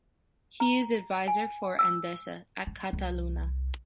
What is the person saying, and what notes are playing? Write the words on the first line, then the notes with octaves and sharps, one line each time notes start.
He is advisor for Endesa at Cataluña.
A#5
G#5
E6
F#3
C2